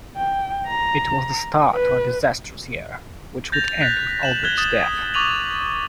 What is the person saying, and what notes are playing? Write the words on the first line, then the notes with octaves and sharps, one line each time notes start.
It was the start to a disastrous year, which would end with Albert's death.
G5
A#5
B4
G6 A6 A#6 F7
F#6 A6 B6 F7
E7 F#7
F#6 G#6 G7
D#6 A6 E7
C#6 D6 A6 D#7 F7 F#7